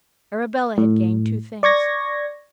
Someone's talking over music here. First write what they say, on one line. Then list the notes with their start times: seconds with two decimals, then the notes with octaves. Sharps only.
Arabella had gained two things.
0.78 A2
1.63 D5 C#6 G#6 A#6